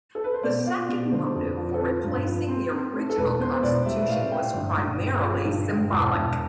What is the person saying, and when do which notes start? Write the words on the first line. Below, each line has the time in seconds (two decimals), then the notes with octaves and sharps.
The second motive for replacing the original constitution was primarily symbolic.
0.15 A4
0.24 B4
0.34 C5
0.43 B2 D5
0.66 F4
0.89 B2
1.12 D3 C5
1.35 F2
1.57 F3
1.74 A4
1.80 C4 B4
2.04 G2
2.26 F3
2.48 C4
2.72 C4
2.94 A3
3.10 A4
3.17 E1 B4
3.40 B2 C5
3.63 E1 D5
3.86 G3 E5
4.08 A2 F5
4.31 A2 G5
4.54 G1
4.77 G1
5.00 G1
5.23 F3
5.45 G2
5.69 G1
5.91 E1 A5
6.14 E1